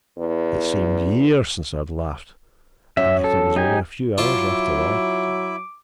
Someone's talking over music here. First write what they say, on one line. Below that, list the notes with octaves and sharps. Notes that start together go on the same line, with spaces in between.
It seemed years since I had laughed--and yet it was only a few hours, after all.
E2
F#2 F#3 C#4 E5
A4
D#4 G4 G#5
F#3 E4 F4 E5 A5 C#6 D6